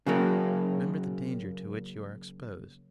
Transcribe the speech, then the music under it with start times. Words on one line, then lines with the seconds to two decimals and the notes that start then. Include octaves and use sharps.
Remember the danger to which you are exposed.
0.06 C#3 F#3 A#3